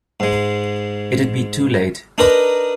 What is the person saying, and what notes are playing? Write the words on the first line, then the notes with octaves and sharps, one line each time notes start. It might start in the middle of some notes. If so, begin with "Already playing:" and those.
It'd be too late.
G#2 G#3
D4 D#4 A#4 B4 D#5